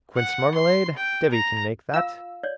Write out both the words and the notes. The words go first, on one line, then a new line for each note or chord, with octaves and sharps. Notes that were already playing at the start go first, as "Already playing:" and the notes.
Quince marmalade? Debby can make that.
F#5
C6
G5
A#5
F4 F5 E6
C#5 D5